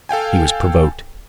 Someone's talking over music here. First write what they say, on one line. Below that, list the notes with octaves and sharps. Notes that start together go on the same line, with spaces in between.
He was provoked.
A4 F5 G5 G#5